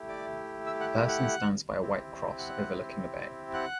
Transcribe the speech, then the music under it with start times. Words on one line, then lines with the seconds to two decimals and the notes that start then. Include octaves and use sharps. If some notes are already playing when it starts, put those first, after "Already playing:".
A person stands by a white cross overlooking a bay.
Already playing: A3 E4 G4
0.08 D5 D6
0.66 E5 E6
0.80 F#5 F#6
1.09 F#5 F#6
1.81 C4 E4 G4
2.39 F#5 F#6
3.54 F#5 F#6